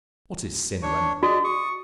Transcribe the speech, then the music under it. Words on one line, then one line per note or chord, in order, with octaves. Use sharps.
What is Cinnamon?
D4 C#5 C#6
F#4 G#4 D5 D#5
C#6 D#6